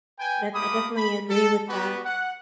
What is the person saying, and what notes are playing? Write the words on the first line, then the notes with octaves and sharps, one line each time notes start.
that's I definitely agree with that.
B4 G5 G#5
A3 A#3 G4 B5 D6 D#6
B5
A4
B3 F#4 G4 B4
F#5